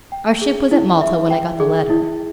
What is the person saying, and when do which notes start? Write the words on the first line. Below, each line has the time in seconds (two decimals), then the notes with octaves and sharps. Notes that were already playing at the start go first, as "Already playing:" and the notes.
Our ship was at Malta when I got the letter.
0.12 G5
0.42 G#4
0.71 E4
1.01 E5
1.30 G5
1.60 G#4
1.90 E4